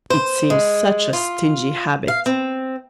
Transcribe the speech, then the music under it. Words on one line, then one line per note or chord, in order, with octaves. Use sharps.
It seems such a stingy habit.
C5
G#3
F4
F5
C4